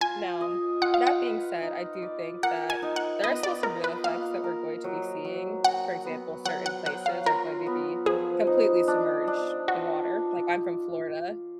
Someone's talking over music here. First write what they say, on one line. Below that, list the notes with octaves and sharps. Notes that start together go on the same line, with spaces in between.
Now, that being said, I do think that there are still some real effects that we're going to be seeing, for example, certain places are going to be completely submerged in water- like, I'm from Florida,
F4 G#5
D#5
F4 F#5
F5
F#5
B4
D#4
D5
A#4 F#5
G#5
D#4
F#5
B3 D#5
D5
F4 A#4
B4
A#3 F5
A#4
F#3
F#3
F#4 F#5
B3
F#3 F#5
F#5
F#3 F#5
F5
F4 A#4
B3
F3 G#4
D#4
D4
D4
F4 F#4